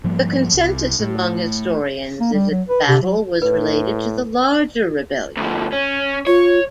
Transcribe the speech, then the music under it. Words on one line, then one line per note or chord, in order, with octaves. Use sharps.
The consensus among historians is that the battle was related to the larger rebellion.
G#2 F3 G3 A#3
C2
A2
A#3
G3
F#3
B4
C3
F#3
A2 B4
D2 F3
C#4
F4 C#5